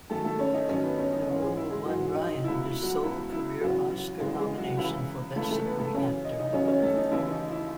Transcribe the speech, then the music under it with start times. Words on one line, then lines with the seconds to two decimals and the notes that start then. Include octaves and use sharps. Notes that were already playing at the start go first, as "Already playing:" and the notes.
The role won Ryan his sole career Oscar nomination, for Best Supporting Actor.
0.10 F#2 D#3 A3 A4
0.24 A3 A4
0.39 C#4 C#5
0.54 D#4 D#5
0.69 F#2 D#3 C#4 C#5
0.83 B3 B4
0.98 C#4 C#5
1.12 D#4 D#5
1.26 G#2 E3 C#4 C#5
1.42 G#3 G#4
1.57 E4
1.71 G#3 G#4
1.85 G#2 E3 F#3 F#4
2.15 D#4
2.44 C#2 B2 E4
2.64 E4
2.82 F#3 F#4
3.03 C#2 B2 E4
3.32 E4
3.60 E2 C#3 E3 F#3 F#4
3.90 F#3 F#4
4.19 E2 C#3 E3 G#3 G#4
4.39 G#3 G#4
4.58 F#3 F#4
4.77 C#2 C#3 E3 E4
5.36 C#2 C#3 E3 A3 A4
5.51 A3 A4
5.65 B3 B4
5.80 A3 A4
5.94 F#2 C#3 E3 C#4 C#5
6.25 D#5
6.39 D#4 D#5
6.53 F#2 C#3 E3 C#4 C#5
6.67 C#4 C#5
6.82 A3 A4
6.97 D#4
7.11 D#2 C#3 E3 E4
7.31 D#4
7.51 E4